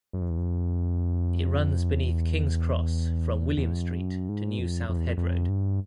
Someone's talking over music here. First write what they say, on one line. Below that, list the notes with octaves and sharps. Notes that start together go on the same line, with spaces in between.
It runs beneath Kings Cross from William Street to New South Head Road.
F#2
F2
E2
F2
E2
E2
F2
F#2
G#2
F2
F2
E2
F2
F2
G2